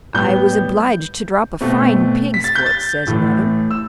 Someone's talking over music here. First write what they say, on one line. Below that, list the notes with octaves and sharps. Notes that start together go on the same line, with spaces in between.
"I was obliged to drop a fine pig's foot," says another.
A2 G3 B3 G6
B2 A3 C4
B6
A6
G6
A6
A2 E3 A3
E6